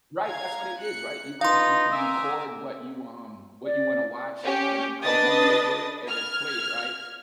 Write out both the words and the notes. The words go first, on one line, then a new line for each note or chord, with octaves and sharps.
Right, that's what it is, right? You could you could record what you, um what you wanna watch and then come home later and then play it, right?
F5 A#5 G#6
F#6 C#7
D#4 F4 B4 F5 C6
A#4 E5 G#5 D6
D5
C#4 G4
D4 B4 D#5 D#6 A6
F6 G#6